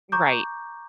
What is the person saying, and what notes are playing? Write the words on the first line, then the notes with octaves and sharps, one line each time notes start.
You're right.
A#5 C#6 D6 G6